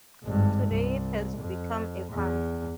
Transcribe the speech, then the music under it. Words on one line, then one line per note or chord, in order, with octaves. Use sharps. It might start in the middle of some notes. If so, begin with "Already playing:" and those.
Today it has become a farm.
G#1 G2
C2
F2
E2